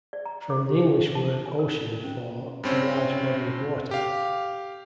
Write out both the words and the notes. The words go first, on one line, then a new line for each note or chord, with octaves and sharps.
From the English word ocean for 'a large body of water'.
D5
A#5
D6
G4
A5
G#5
A#4
C#4
G2 C4 C#4
G4 F5